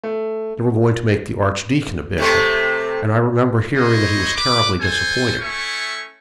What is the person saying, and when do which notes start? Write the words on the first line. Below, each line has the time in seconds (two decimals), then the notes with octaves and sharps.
They were going to make the archdeacon a bishop, and I remember hearing that he was terribly disappointed.
0.04 A3
2.18 C3 A3 C4
3.75 E4 C5 C#5 D#5
4.35 B4 D6
4.80 A4 C5 G#5
5.41 A3 C#4 E4 C#6